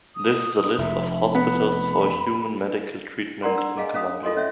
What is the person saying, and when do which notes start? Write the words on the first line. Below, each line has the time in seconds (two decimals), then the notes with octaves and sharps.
This is a list of hospitals for human medical treatment in Colombia.
0.16 D#6
0.78 F1 E5
1.35 B3 B5
3.43 D4 A#4 D5 F#5 A#5 C6
3.57 A#5 E6
3.77 G#4 D#5 F5 G5 G#5
3.94 C#4 F5 D#6
4.23 F4 A4 D#5 G5 G#5 C6
4.37 C#4 C#5 E5